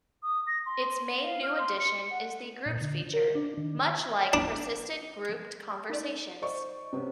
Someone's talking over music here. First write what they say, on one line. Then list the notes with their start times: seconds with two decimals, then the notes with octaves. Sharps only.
Its main new addition is the Groups feature, much like persistent grouped conversations.
0.23 D#6
0.47 A#6
0.66 C6
1.22 F5
1.43 F6
1.59 C6
1.80 C#7
2.11 F#5
2.66 A#2
2.81 D3
3.13 A#4
3.35 D4
3.57 D#3
4.33 D4
5.89 D#4 D5
6.42 C5 D5 D#5 C#6
6.93 C3 B3 C#4